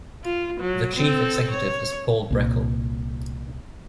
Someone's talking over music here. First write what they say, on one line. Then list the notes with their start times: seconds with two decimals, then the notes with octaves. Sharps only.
The Chief Executive is Paul Breckell.
0.24 F4
0.60 F#3
0.96 C4 A4
1.50 C#5
2.31 C2 A#2